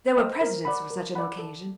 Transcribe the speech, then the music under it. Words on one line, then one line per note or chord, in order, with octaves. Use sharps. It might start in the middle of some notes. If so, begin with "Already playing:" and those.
There were precedents for such an occasion.
C5 D#5 G5
A#4
D5 F#5 B5
A#4
D5 F#5 B5
A4